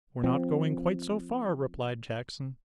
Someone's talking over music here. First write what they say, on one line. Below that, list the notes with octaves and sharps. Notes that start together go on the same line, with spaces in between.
'We're not going quite so far,' replied Jackson.
F3 C4